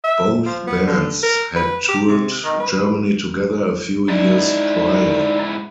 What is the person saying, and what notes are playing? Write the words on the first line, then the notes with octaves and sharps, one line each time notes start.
Both bands had toured Germany together a few years prior.
E5
F3
B3
D3
A#4
B4
G4
C3
D#3
B4
G#2 D#4 E4 D5